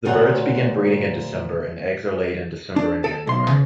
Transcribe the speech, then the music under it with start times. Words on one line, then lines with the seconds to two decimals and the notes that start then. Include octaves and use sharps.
The birds begin breeding in December and eggs are laid in December and January.
0.05 D2 A#2 F#4 C5 C#5 F#5
2.76 D4
3.04 A4
3.27 B1 C6
3.48 C#3